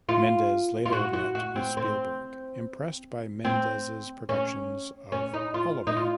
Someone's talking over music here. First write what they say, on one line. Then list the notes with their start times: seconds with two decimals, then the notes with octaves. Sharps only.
Mendes later met with Spielberg; impressed by Mendes' productions of Oliver!
0.09 F4
0.86 F4
0.93 F#4
1.13 F#4
1.35 F#4
1.56 C4
1.77 C4
3.45 C4
4.29 C#4
5.12 C#4
5.34 D#4
5.54 F4
5.87 D#4
5.97 F4